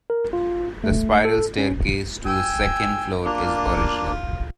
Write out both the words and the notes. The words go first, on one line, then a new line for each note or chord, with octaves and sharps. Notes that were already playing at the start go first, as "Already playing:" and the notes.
The spiral staircase to the second floor is original.
A#4
F4
A3
A4
C#4
G5 G#5 E6
A#3 D4 F4